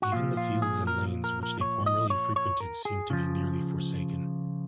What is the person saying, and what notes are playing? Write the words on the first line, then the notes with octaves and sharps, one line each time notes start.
Even the fields and lanes which they formerly frequented seem to be nearly forsaken.
F#4
A#2 F3 F4
F4
G#4
A#4
A#4
A#4
C#5
D#5
C#5
C#5
A#4
G#4
C#3 F3